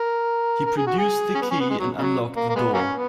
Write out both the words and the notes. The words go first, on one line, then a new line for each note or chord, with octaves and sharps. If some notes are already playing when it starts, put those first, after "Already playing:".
He produced the key and unlocked the door.
Already playing: A#4
A#4
G#4
F#4
G#4
C#4
B3
C#4
B3
G#3
F#3
C#3 F#3
A#3
A#3
G#3 B3
F#3 A#3 C#4
B3